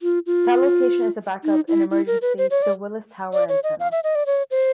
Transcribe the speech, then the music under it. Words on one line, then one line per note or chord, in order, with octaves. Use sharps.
That location is a back-up, in emergency, to the Willis Tower antenna.
F4
F4
D#4
E4
E4
A#4
B4
C5
C#5
D5
D5
C#5
D#5
F5
E5
D#5
D5
C#5
C5